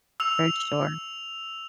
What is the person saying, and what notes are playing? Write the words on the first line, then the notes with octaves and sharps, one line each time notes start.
For sure.
E6 F7